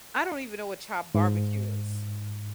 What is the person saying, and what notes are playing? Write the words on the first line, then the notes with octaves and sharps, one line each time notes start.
I don't even know what chopped barbecue is.
G#2